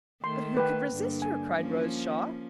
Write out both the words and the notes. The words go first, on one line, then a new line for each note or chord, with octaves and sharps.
"But who could resist her?" cried Rose Shaw.
D#3 A3 C6
B4 G5
G2 D3 A#3
G#5
F3 A#3 C#4